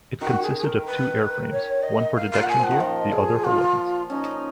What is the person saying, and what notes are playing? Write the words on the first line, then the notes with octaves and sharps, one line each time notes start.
It consisted of two airframes, one for detection gear, the other for weapons.
D#3 F#4
G#4
G#4
A#4
B4
C#5
D#5
F5
F5
A#2
F#5
G#5
F3 F#5
D#3
F3 D#5
G#4
F4
C#4 D#4